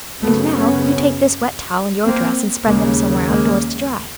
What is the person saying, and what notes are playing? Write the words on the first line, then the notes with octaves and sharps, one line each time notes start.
And now you take this wet towel and your dress and spread them somewhere outdoors to dry.
F#2 C#3 A3 B3
B3 C#4
A#3 C4
D#2 C#3 G#3 A#3
G#3 A#3